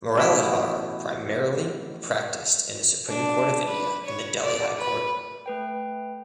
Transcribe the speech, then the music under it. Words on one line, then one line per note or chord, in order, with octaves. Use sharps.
Muralidhar primarily practiced in the Supreme Court of India and the Delhi High Court.
A1 B2 E4
D4
B4
C#5
D5
B4
A3 B4 G5